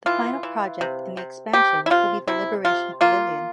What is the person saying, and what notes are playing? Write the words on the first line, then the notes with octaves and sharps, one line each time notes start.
The final project in the expansion will be the Liberation Pavilion.
E3 F4
E3
C3
C3
C3 G4
E4
C3 F4
C3 E4
C3 F4
A#3 F4